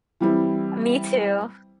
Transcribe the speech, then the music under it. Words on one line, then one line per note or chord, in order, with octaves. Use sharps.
Me too.
E3 G3 C4 E4